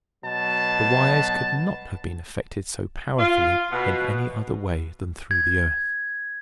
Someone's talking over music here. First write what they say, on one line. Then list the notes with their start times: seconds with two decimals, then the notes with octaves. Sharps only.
The wires could not have been affected so powerfully in any other way than through the earth.
0.24 B2 F#3 A5
3.19 F4
3.72 B2
5.31 G#6